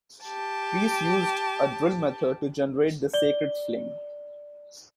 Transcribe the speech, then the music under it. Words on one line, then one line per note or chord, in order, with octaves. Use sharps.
Priests used a drill method to generate this sacred flame.
G4 A5
D5 G7